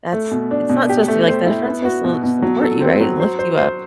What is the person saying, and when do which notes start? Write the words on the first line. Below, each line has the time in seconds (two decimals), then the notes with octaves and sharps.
that's It's not supposed to be like that. A friend's suppose to l support you, right, and lift you up
0.13 A3
0.31 B2
0.51 D4
0.69 B2
0.89 G4
1.08 A3
1.28 C5
1.46 E4
1.66 B3
1.85 F#4
2.04 B2
2.23 B2
2.42 F#3
2.62 A4
2.80 C4
3.01 F#3
3.20 C5
3.39 C5
3.58 C5